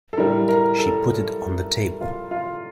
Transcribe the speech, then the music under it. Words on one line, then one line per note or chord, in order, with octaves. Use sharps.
She put it on the table.
A4
A2 G3 A#4
A#4
A4
F4
F4